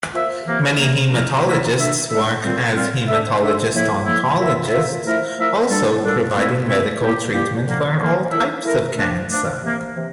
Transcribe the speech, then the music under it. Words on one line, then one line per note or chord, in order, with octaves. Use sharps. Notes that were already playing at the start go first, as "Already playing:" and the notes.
Many hematologists work as hematologist-oncologists, also providing medical treatment for all types of cancer.
A#3 F4 C5 E5
C3 E3 A#3
C3 E3 A#3
A#2 F3 A3 E4 A#4
A#2 F3 A3 E4 A#4
A3 D4 A4 E5
A3 D4 A4 E5
A#2 G3 C4 F4
A#2 G3 C4 F4
A3 D4 A4 E5
A3 D4 A4 E5
A2 F3 A#3 E4
A2 F3 A#3 E4
A#3 F4 A#4 E5
A#3 F4 A#4 E5
F3 A3 E4 A#4 E5
F3 A3 E4 A#4 E5
A#2 G3 D4 A4
A#2 G3 D4 A4
A#2 A3 C4 E4
A#2 A3 C4 E4
G3 A#3 E4 G4
G3 A#3 E4 G4
D3 F3 A#3
D3 F3 A#3
A3 E4 A#4 E5
A3 E4 A#4 E5
F3 A3 D4
F3 A3 D4
C3 E3 A#3
C3 E3